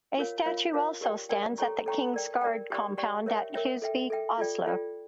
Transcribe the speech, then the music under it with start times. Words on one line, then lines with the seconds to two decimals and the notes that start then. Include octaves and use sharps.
A statue also stands at the King's Guard compound at Huseby, Oslo.
0.17 F4 A#4 C#5 F5
0.46 F4 A#4 C#5 F5
0.73 F4 A#4 C#5 F5
1.01 G4 A#4 D5 G5
1.29 G4 A#4 D5 G5
1.58 A4 C#5 G5 A#5 C#6
1.86 A4 C#5 G5 A#5 C#6
2.14 A#4 D5 G5
2.41 A#4 D5 G5
2.70 G4 D5 G5 C#6
2.98 G4 D5 G5 C#6
3.26 A#4 C#5 E5 G5
3.54 A#4 C#5 E5 G5
3.82 A4 E5 G5
4.10 A4 E5 G5
4.38 F4 A4 D5 G5
4.66 F4 A4 D5 G5